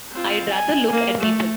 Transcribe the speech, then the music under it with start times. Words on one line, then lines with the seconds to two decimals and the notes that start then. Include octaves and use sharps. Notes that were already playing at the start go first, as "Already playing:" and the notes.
I’d rather look at people.
0.13 C4 F4
0.51 G#5
0.92 A#3
1.21 A3